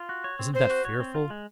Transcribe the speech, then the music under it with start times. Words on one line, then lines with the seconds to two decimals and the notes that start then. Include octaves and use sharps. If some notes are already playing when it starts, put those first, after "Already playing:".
Isn't that fearful?
Already playing: F4
0.09 F#4
0.24 C#5
0.39 C4
0.54 C4 C5
0.70 F#4
0.85 C#5
1.00 C4
1.14 F4
1.30 G#3